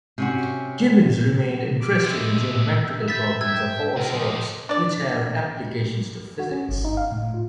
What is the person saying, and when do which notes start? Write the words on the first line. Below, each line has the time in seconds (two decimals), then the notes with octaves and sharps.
Gibbons remains interested in geometrical problems of all sorts which have applications to physics.
0.18 C3 C#4 F#4
1.81 D6
2.04 B2 G#3 E5
3.08 E5 B5 G6 A6 B6
3.41 G5 E6 G#6
3.97 C3 A#4
4.13 D3 F3 D#5
4.69 D4 D5
6.39 F#4
6.52 C#4
6.69 G1
6.85 D#4
6.97 F5
7.12 A2
7.34 F4